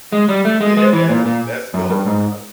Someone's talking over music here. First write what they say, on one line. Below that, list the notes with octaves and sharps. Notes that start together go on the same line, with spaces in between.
Yes. Let's go. You hu
G#3
G3
A3
G#3
G#3
E3
A#2
A#2
F#2
G2
G#2